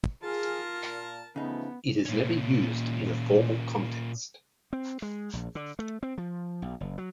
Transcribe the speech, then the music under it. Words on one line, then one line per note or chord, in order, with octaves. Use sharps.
It is never used in a formal context.
F4 G#4 A#4 A5
A#2
C#3 E3 F3 A3 B3 D#4
A#2 C#4
C4
G#3
A#1
D3
A3
C4
F3
B1
F#1
F#3